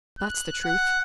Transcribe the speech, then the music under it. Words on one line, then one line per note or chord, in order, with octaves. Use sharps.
That's the truth.
F#6
F#5